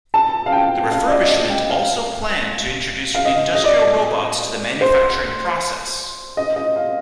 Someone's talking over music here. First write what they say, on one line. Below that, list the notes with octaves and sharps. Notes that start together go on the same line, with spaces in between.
The refurbishment also planned to introduce industrial robots to the manufacturing process.
A5
F5
G5
F5
D5
D#5
D#5
G5
F5
F5
D#5
D#5
D5
C5
D#5
D#5
F5